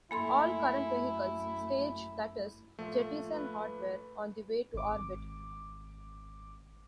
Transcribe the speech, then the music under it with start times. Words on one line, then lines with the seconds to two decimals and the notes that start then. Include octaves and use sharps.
All current vehicles "stage", that is, jettison hardware on the way to orbit.
0.11 F#2 A3 A#3 E4 A4 G#5 B5 C6
2.79 A#2 F3 A3 F4
3.33 B4
4.74 G#1 D6